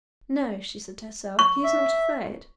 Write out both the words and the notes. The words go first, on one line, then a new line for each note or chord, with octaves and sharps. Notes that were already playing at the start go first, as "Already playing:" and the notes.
"No," she said to herself, "he is not afraid."
C#6
E5